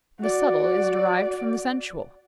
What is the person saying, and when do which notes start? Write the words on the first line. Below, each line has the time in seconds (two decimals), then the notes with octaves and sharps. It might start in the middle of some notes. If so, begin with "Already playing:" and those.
The subtile is derived from the sensual.
0.20 F#4 D5